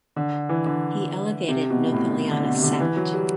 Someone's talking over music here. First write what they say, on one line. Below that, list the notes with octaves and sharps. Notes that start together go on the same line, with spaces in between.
He elevated "Notholaena" sect.
D3
E3
D3
C3
B2
A2
D3
B2
C3
D3
E3
F#3
G3